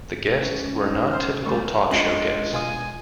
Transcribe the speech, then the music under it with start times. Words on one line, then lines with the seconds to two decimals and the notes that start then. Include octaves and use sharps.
The guests were not typical talk show guests.
0.39 G#3 C#4
0.81 D#4
1.11 C5 F6
1.46 G3 A3 C#6
1.91 G#3 C#4 D4 F4 D#5
2.53 B2 F4 G#5 D#6